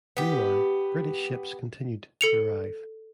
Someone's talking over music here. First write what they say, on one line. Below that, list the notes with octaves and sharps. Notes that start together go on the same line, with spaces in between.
Meanwhile, British ships continued to arrive.
B3 G4
A4 C#7 F7